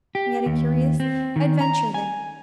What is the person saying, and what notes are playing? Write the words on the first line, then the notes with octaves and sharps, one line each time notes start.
We had a curious adventure there.
G4
D#2
C4
D#3
A#5
G#5